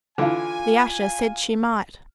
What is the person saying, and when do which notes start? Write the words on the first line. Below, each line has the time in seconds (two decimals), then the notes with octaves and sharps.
The usher said she might.
0.18 D3 E3 F4 F5 G#5